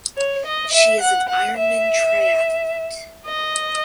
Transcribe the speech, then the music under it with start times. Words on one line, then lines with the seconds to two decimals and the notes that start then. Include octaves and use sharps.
She is an ironman triathlete.
0.16 C#5
0.45 D#5
0.72 E5
1.00 F#5
1.28 F#5
1.56 E5
3.25 D#5